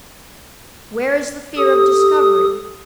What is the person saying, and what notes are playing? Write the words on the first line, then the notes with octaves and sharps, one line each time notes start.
Where is the fear of discovery?
G4 A4 D#6